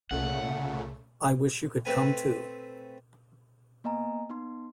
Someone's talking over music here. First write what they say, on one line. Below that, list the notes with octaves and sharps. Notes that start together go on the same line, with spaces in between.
I wish you could come too.
C2 A#2 C#3 A3 F#5
A3 C4 B4 G#5
A#3 B3 D#5 G#5 A#5
B3 D#4 C6